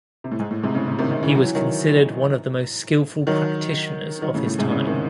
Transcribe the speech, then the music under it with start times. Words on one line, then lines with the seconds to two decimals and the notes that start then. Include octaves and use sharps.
He was considered one of the most skilful practitioners of his time.
0.24 C3
0.31 A2
0.39 G#2
0.51 A2
0.63 G#2 C3
0.75 A2 C#3
0.88 A2 C#3
0.99 C3 D#3
1.11 C3 D#3
1.23 C#3 E3
1.35 F#3
1.44 E3
1.55 D#3 F#3
3.27 D#3 F#3
4.22 D#3 F#3
4.34 A2 C#3
4.46 A2
4.59 G#2 C3
4.70 A2 C#3
4.86 C3 D#3